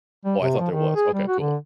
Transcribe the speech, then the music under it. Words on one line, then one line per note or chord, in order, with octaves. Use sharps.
Oh, I thought there was. Okay. Cool,
G3
C3
F3
D#3
G#4
G3
F#4
D3